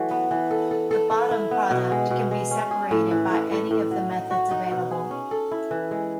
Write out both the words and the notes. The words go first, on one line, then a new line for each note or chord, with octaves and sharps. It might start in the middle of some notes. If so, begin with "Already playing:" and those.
The bottom product can be separated by any of the methods available.
Already playing: E3 F#3 A3
B3
E3
A4
A4
A4
A4
E4
B3
B2
G#3
B2
G#3
C#4
G#4
A2
E3
A2
A2
A2
F#3
D#4
F#4
D#4
B2
G#4
C#4
A4
E4
E3
G#3